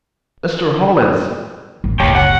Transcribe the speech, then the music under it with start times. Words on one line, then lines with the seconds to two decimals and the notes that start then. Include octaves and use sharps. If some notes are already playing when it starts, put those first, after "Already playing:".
"Mr. Hollins!"
1.84 A1 F#2
2.00 F#1 C#2 G4 C#5 G5
2.15 F#5